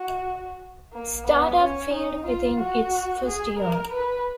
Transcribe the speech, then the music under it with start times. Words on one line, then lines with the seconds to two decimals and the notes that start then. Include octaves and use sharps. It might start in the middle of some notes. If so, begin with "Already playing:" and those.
The startup failed within its first year.
Already playing: F#4
0.93 A#3
1.26 B3
1.60 C#4
1.93 D#4
2.26 F4
2.60 F#4
3.26 G#4
3.59 A#4
3.93 B4